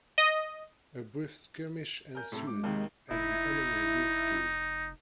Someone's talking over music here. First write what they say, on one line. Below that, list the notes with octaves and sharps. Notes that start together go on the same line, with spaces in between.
A brief skirmish ensued and the enemy withdrew.
D#5
A#4 G#5 G6
A2 C3 A4
G#3 D6
D#2 C3 D#3
F1 D#4 E4